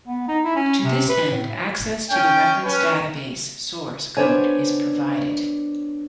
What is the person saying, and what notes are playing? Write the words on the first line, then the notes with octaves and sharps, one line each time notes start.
To this end, access to the reference database source code is provided.
B3
D#4
E4
C#4
C3
B4
A2
C#4 G5
C#4 B4
B3 D4 C5 C#5 G#5